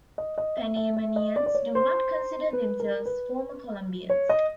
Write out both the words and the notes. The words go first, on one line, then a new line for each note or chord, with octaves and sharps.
Panamanians do not consider themselves former Colombians.
D#5
D#5
E5
E5
E5
D#5
D5
D5
C#5
C5
B4
A#4
B4
C#5
D#5